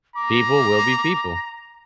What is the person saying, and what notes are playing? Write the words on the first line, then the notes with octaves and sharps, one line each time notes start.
People will be people."
A#5 D6